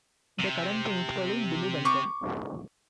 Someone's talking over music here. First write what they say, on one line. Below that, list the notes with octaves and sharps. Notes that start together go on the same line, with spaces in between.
The current principal is Billy Duncan.
C3
C#6 D6